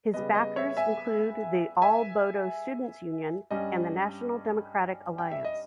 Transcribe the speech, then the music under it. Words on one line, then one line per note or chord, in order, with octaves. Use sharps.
His backers include the All Bodo Students Union and the National Democratic Alliance.
C#3 G3 B3 D#5
D#5
C#5 E5
E5 G#5
E5 G#5
G2 G3 C#4 D#5
G5
E5
D#5